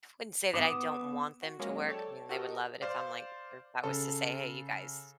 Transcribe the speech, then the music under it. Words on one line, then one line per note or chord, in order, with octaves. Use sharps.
wouldn't say that I don't want them to work. I mean, they would love it if I'm like, er if I was to say, "Hey, you guys,
B3 D6 D#6 E7
F#4
F#3 G#3 A#3 C#4
A4 C#5 D5 G5 A5
F#4 G4 A4 A#4 D#5
C5 D5 F5
C#3 A4